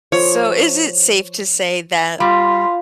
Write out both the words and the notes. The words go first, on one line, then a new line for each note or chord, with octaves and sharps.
So is it safe to say that
F3 C#5
G3 F4 B5 C6 B6